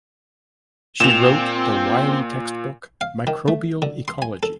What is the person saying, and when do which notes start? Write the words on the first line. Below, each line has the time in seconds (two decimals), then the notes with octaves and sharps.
She wrote the Wiley textbook "Microbial Ecology".
1.00 A#2 C4 E7 F7
3.01 F5
3.27 D#3
3.48 A3
3.82 D3
4.08 C6
4.22 G#5
4.43 A4